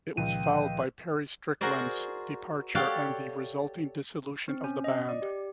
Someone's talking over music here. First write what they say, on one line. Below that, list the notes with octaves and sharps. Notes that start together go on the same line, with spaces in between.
It was followed by Perry Strickland's departure and the resulting dissolution of the band.
C#2 A#2 D#3 F3 G5 D#7
F#4 G#4 A#4 C5 D5
G4 A4 C#5 D5 F5 F#5
C4
C#4
D#5
D5
G4